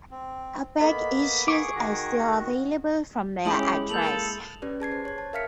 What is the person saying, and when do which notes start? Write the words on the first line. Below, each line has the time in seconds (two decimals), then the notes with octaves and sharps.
Back issues are still available from their address.
0.11 C4
0.80 A#3 B3 A4 D#5 B5
1.48 G#4 C#6 D6
1.75 D#3 F#4 A#5
3.45 G#3 C#4 E4 G4 B5 D#6 F#7
3.89 A#3 A4 G6 F7 F#7
4.62 C#4 G4 B4 D5
4.80 G#4 A5 G#6 C7
4.92 C5
5.05 C#5 G#6
5.18 A5
5.33 A#4 E5 F5 F6 B6 C#7